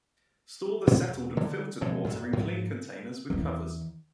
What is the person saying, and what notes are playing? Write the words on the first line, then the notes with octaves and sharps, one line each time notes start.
Store the settled and filtered water in clean containers with covers.
A#2 C#4
E1
D3
B2 F3 G#3
F#2 A#2
G#2 F3 A#3
E2 E3